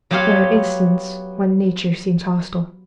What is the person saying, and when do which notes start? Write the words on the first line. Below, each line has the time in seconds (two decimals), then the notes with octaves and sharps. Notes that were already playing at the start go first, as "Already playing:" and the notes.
There are instants when nature seems hostile.
0.11 F#3 B3 G4 C#5 F5 C6